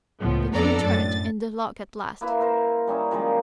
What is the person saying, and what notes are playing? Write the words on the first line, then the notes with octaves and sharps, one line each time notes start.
The key turned in the lock at last.
C#2 A2 F3 B3
F2 B3 D4 A4 D5 A#5
F#2 A2 A6
A#3 E4 B4 E5
A#4 C5 E5
G3 C#4 D#4 E4
D#3 F3 G3 G#3